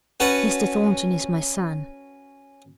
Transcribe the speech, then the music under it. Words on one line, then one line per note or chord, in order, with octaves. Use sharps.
Mr. Thornton is my son.
C#4 F#4 B4 F#5 A5